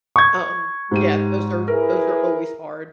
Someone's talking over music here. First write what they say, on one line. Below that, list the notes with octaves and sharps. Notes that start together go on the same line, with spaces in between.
Um, yeah, those are those are always hard.
C#6 G#6
G#2 G4 D#7
E4 G#4 A#4 B4